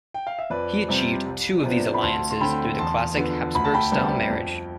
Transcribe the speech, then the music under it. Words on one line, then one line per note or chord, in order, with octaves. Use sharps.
He achieved two of these alliances through the classic Habsburg style - marriage.
G5
F5
E5
F2 B4 D5
C3 G3 C4
C2
C3 F3 B3 D4
B5
D2 A5 C6
C6
D3 A3 C4 G5 B5
E2 A5 C6
D3 F3 B3
D2 B5
A5
G5 B5
C3 G3 B3 D4
F2